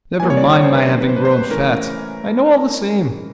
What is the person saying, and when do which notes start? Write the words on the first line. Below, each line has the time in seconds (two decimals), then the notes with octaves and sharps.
Never mind my having grown fat, I know all the same.
0.20 E3 G3 A#3 G#5
0.30 C#5
0.37 D5
0.53 C#5
0.64 C5
0.75 B4
0.85 D#3 F#3 A#3 C#4 B4
0.93 C5
1.01 B4
1.09 C5
1.16 B4
1.25 C5
1.33 B4
1.50 E3 A3 C#4 A#4